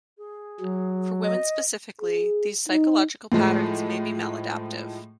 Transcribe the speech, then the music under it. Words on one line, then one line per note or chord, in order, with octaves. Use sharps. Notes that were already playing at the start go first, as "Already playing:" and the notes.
For women specifically, these psychological patterns may be maladaptive.
G#4
F#3
D#5
G#4
D#4
A2 F3 G#3 A3